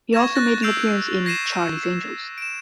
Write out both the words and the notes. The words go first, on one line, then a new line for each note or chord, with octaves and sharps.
He also made an appearance in "Charlie's Angels".
C#6 G#6 A#6 E7
F#6 A6 A#6
E6 G6 C7 D7 E7 F7
G#6 A#6 C7 D#7 E7
D7 E7